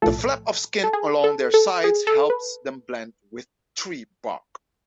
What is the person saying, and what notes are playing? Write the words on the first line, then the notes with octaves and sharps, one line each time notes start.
The flaps of skin along their sides help them blend with tree bark.
B1 A2 F3 A3 A4
A4
G#4
A4
A4
G#4
A4
B4